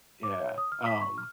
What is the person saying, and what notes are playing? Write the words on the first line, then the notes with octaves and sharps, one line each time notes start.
Yeah, um,
D6
C#5
D#6
F6
B6
C#6
F6